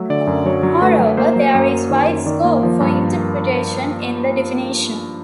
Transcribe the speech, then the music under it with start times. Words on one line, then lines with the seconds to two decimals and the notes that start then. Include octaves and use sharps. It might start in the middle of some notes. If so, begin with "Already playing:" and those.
Moreover, there is wide scope for interpretation in the definition.
Already playing: F#3 A3 E5
0.10 D3 D5
0.27 F#2
0.46 F#3 C#5
0.63 F#3
0.82 A3 B4
0.99 F#3
1.17 A#3 C5
1.36 F#3
1.54 F#2 C5
1.72 A#3
1.90 D#3 C5
2.08 F#2
2.26 D#3 D5
2.45 A#3
2.63 F3
2.80 G2